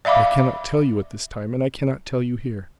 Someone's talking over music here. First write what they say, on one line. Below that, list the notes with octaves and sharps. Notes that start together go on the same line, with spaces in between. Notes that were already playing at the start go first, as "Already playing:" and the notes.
But I cannot tell you at this time, and I cannot tell you here.
D5 E5 F5 B5 D6